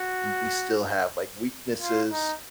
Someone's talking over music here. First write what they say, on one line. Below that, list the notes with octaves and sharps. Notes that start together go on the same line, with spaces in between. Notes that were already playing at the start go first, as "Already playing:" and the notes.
we still have, like, weaknesses
Already playing: F#4
F4
D#4